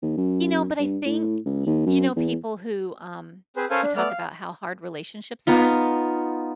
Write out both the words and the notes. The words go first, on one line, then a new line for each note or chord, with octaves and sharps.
You know, but I think, y you know, people who, um, who talk about how hard relationships are,
D#2
F#2
G2
A2
C#2
D#2
F#2
E2
C4 G#4 B4 C5
C#4 A4 A#4 C5 F5 G#5
D4
A3 B3 D5 F6
F5
B3 D#4 F4